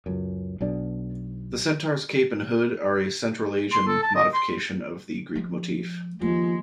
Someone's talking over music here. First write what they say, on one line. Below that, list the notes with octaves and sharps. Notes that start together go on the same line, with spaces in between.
The centaur's cape and hood are a central Asian modification of the Greek motif.
C#2 F#2
B1 B2 D4
C6
A4
A5
D#5
C6
F3 G#3
D#2 D#3 F3 G#3